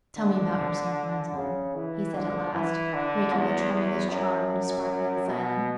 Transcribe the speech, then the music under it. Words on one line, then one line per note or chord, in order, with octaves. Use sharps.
"Tell me about yourself, Magdalen," he said at last, breaking the tremulous, charmed, sparkling silence.
D3
C#3
E3
D3
E3
D3
E2
E2
F#2
B2